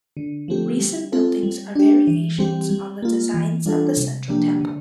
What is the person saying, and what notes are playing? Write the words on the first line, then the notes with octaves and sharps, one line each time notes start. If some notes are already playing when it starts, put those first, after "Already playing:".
Recent buildings are variations on the designs of the Central Temple.
D3
F3 A3 C4 G4
G3
C4 F4 A4
G3
D4 G4
E3
G3 C4 G4
G3
A#3 F4
E3
G3 D4 F4 A4
C3
F3 A#3 D4 G4
D3